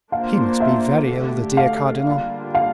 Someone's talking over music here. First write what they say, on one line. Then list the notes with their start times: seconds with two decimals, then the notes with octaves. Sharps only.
"He must be very ill, the dear cardinal!"
0.12 A#3 D4 F4 C5 F5
0.60 E5
1.09 D3 A3 D4 G4
1.57 F5
2.06 D3 G3 A#3 D4 F4
2.55 F5